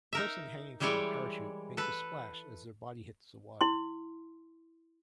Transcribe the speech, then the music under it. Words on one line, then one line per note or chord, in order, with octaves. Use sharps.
A person hanging from a parachute makes a splash as their body hits the water.
D#4 A#4 E5
E3 G3 G#3 E4 C#5 D5
A4 B4
E4 C6